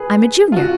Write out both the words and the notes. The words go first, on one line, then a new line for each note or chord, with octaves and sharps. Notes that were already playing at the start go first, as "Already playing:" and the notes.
I'm a Junior.
Already playing: G#4 B4
F4
F#4